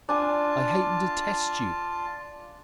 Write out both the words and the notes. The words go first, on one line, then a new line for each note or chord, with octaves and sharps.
I hate and detest you!
D4 F4 G#5 A5